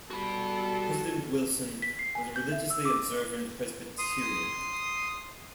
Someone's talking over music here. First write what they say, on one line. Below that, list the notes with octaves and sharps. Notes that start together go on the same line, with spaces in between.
President Wilson was a religiously observant Presbyterian.
G3 F#4 A4 B5
B6
C7
G#5
G6
E5
E6
D6
C6 D#6